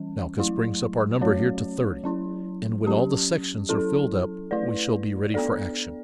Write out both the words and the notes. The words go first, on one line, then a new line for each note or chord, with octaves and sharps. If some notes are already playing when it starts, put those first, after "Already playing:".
Malchus brings up our number here to thirty, and when all the sections are filled up we shall be ready for action.
Already playing: E3 G3 C#4
F#3 A3 E4
F#3 A3 C#4 F#4 C#5
F#3 C#4 E4
F#3 C#4 G4
F#3 C#4 E4 A4
A3 E4 B4 D5
B3 D4 A4 D5